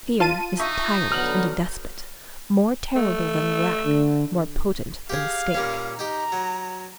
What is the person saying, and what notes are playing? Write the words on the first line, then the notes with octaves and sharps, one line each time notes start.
Fear is a tyrant and a despot, more terrible than the rack, more potent than the stake.
F4 A5 D#7
D#4 E5 C#6
D3 F#3 B3 F6 F7 F#7
A3
D3
G4 G#4 F5
A#2 G3 C#4
D#4 G4 A#5
F#3